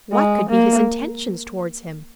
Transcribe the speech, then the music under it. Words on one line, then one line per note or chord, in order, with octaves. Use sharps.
What could be his intentions towards him?
G#3
A#3